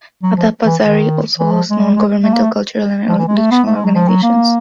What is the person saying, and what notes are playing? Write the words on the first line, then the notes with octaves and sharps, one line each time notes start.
Adapazari also hosts non-governmental cultural and educational organizations.
F#3
F3
E3
D#3
E3
F3
G#3
G3
G#3
A3
A#3
A3
F3
E3
G#3
A3
B3
A3
G#3
F#3
F3
F#3
A#3